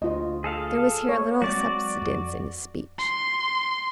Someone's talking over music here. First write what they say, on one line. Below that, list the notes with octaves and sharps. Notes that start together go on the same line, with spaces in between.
There was here a little subsidence in his speech.
D2 F4 D#5
G#4 A4 F5
A#3 C#5
F#3 G#3 C4 F#4 D5
F2
C6